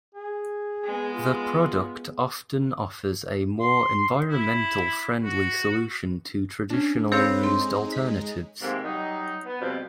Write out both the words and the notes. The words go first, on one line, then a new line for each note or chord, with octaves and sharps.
The product often offers a more environmental friendly solution to traditionally used alternatives.
G#4
G#3 B3
F4
C6
E4
F#4
C#4 D4
C4 A4 B4 C#5 F5
G#3 D#4 C6
B6
G#2 C3 D#3 A3 A#3
F#3 G3 D#4
B3
F2 B2 F3 G3 C4